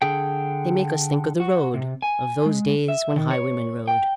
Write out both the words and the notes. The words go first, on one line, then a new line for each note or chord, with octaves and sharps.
They make us think of the Road, of those days when highwaymen rode.
D3 G#4 G5
F#4
C3
G#5
G#3
E5
D#3
C#5
G5